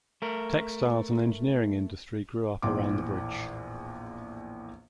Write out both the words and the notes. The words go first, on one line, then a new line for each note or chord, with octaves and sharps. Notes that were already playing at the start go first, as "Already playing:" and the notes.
Textiles and engineering industry grew up around the bridge.
A3 A#4
A#1 E2 A2 C6 D6